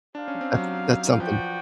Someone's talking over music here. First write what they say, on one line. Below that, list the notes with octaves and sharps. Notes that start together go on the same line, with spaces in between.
That's that's something.
D4 D#4 G4 C5 F5
C#4
C4
F#3
F3 F#4 B4 D5 G5